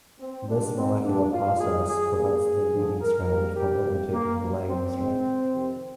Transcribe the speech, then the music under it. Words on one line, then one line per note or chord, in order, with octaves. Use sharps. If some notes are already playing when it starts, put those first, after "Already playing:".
This molecular process prevents the leading strand from overtaking the lagging strand.
C4
G2 D#3 G#3 D4
C4
A#2 G3 A#3 D4
F4
G#2 D#3 G3 A#3 G#4
G#4
G2 D#3 A#3 G#4
F2 D3 F3
A#4
G#2 D#3 G3 A#3 A#4
G4
F2 C3 G3 A#3
A#3
A#2 G3 A#3
C4
G#2 D#3 G#3 C4
F2 C3 D#3